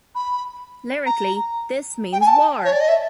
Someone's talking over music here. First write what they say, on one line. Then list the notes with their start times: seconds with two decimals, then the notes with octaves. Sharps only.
Lyrically, This Means War!
0.15 B5
1.06 A#5
2.12 G5
2.20 G#5
2.27 A5
2.64 C#5
2.72 D5
2.80 D#5
2.88 E5